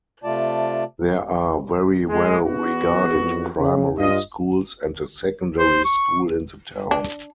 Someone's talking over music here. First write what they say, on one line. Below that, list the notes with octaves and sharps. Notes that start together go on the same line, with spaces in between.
There are very well regarded primary schools and a secondary school in the town.
C3 A3 F4 D5 A5
G#3
E2 B3 F#4
F2
C#3
G2 F4 D#5
C5
C#6
D4